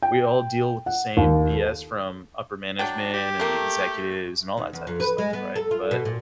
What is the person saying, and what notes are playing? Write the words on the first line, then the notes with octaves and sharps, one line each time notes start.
we all deal with the same BS from upper management, and the executives, and all that type of stuff, right? But,
G5
F#5
D#2
A4
F#3 D4 G5
G4
A3 A#3
D#2
E2
F2
B4
G#3
B3
A4
F4
B2
A#2